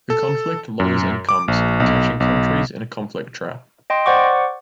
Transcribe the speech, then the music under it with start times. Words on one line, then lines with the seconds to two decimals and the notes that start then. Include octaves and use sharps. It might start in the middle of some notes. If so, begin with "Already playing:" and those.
The conflict lowers incomes catching countries in a conflict trap.
0.10 A4
0.80 F#2
1.29 D6
1.48 A#1
1.80 B1
2.20 B1
3.90 D#5 G5 C6
4.06 C5 D5 F#5 C#6 D6